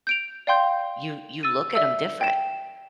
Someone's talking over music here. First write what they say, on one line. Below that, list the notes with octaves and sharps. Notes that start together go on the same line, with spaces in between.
you you look at him different.
G6 D7 F7
D5 F5 G5 C6 G6
E6 A6 D#7
D5 E5 E6
G5 E7